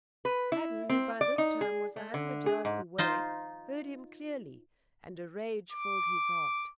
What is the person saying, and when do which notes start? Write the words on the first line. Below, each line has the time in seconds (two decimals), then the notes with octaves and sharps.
Hadden, who by this time was a hundred yards away, heard him clearly, and a rage filled his heart.
0.25 B4
0.52 E4
0.89 C4
1.21 D5
1.38 D#4
1.61 G#4
1.96 A3
2.14 D3
2.46 G#4
2.65 G#2
2.98 D#4 F4 C5
5.72 D6